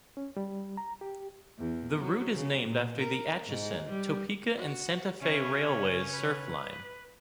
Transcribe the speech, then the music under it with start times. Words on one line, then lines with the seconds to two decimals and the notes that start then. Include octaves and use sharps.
The route is named after the Atchison, Topeka and Santa Fe Railway's Surf Line.
0.17 C#4
0.37 G3
0.77 A#5
1.01 G4
1.58 E2
1.98 F#3
2.32 C#3
2.65 A#2
2.98 A#4
3.46 G#2
3.90 G3
4.57 F#4
5.22 C#3 C#4 C#5 E5
6.11 B4